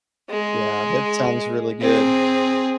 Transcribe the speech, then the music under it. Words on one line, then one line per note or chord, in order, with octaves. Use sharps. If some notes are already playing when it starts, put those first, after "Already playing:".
Yeah, that sounds really good.
G#3
C4 G#4